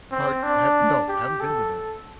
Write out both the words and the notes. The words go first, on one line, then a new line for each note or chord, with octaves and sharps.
Part have No, haven’t been to that one.
C4
D4
G4
A4